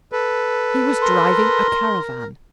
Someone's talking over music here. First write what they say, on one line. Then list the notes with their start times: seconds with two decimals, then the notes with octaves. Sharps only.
He was driving a caravan.
0.12 A4 B4
1.01 A#4 C6